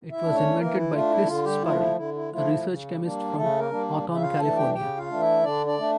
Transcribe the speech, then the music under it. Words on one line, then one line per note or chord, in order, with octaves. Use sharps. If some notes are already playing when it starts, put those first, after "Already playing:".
It was invented by Chris Spurrell, a research chemist from Hawthorne, California.
E4 E5
A3 D4
C#4 C#5
E3 A#3 A#4
E4
A3 D4 F4
E4
D3 F4
G3 G4
F3 A3 E4 F4
E4
D3 E4
E4
F3 A3 E4 F4
C#3
G3 A#3 D4
C#3 A3 A4
A#3 A#4
G3 A#3 D4
C#3
E5
F4 F5
E3 A3 D4 A4 A5
G4 G5
C#3 G4 G5
F4 F5
E3 A3 D4
E4 E5
D3 D4 D5
D4 D5
A3 D4